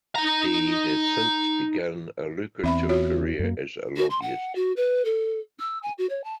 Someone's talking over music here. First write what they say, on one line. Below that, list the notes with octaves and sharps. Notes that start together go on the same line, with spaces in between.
He has since begun a lucrative career as a lobbyist.
D#4 A#5
E2 C4 E5 B5
F4 F#4 C#5
F#2 A#3
F#4
C6
F#5
F#4
B4
A4
E6
G#5
F#4
C#5
A5